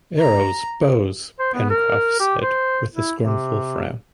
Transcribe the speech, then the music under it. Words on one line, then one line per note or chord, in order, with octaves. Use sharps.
Arrows, bows! Pencroff said with a scornful frown.
A#5
C5
B3
A#4
G4
C5
E4
C3